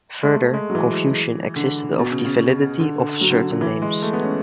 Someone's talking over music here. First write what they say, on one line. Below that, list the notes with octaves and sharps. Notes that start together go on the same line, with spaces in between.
Further confusion existed over the validity of certain names.
G#3
A3
G#3
F#3
E3
D3
B2
C#3
C#3
D3
D3
F#3
D3
D3
D3
E3
G#3
A3
B3
C#4